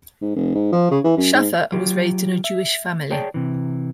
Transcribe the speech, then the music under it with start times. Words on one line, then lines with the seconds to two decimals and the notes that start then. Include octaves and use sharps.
Shaffer was raised in a Jewish family.
0.22 G#2
0.36 F1
0.55 G#2
0.72 F3
0.91 C#3
1.04 E3
1.17 F#2
1.34 G#2
1.72 F#3 F4 G4
2.44 E5
3.11 G#4 C#5 D5 G5 A5
3.34 C3 E3